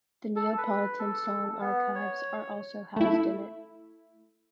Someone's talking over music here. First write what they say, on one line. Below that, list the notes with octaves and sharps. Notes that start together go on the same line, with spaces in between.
The Neapolitan song archives are also housed in it.
A4
B4
A4
B3
C#5
A3 E4